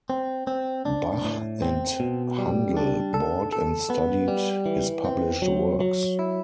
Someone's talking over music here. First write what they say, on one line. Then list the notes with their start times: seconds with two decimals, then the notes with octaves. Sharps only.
Bach and Handel bought and studied his published works.
0.10 C4
0.47 C4
0.85 D4
1.24 A2
1.62 C4
2.00 B2
2.38 G3
2.77 D4
3.14 A4
3.53 A4
3.90 B3
4.28 G3
4.66 E3
5.05 C4
5.42 F#3
5.80 F#3
6.19 E4